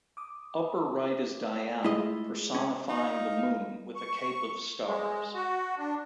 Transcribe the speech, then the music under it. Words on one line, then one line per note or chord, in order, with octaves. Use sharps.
Upper right is Diana, personifying the moon, with a cape of stars.
D6 D#6
G#3 A3 E4 F4 G#4 D#5
C#4
D#4 F5
C#6
G#3
F#4
D4